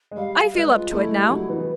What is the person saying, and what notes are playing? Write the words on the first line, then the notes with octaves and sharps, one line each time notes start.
I feel up to it now.
G#3
G3 F5
G#3 B4
F4
A3 E4
G#3
G3
F#3
E3
B3